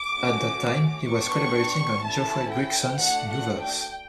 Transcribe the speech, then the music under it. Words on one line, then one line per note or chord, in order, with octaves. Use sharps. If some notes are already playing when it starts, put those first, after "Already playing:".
At that time he was collaborating on Geoffrey Grigson's "New Verse".
Already playing: D6
A3 C#4 F#4
B3 D4 G4 C#6
C#4 E4 A4 A5
G5
A3 D4 F#4 F#5
F#5
G5